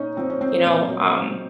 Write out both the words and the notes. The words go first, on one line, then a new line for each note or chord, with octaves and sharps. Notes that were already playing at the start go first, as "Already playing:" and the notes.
you know, um,
Already playing: A#2 C#4 D#4
F3 C4
C#4
C4
A#2 A#3
F#3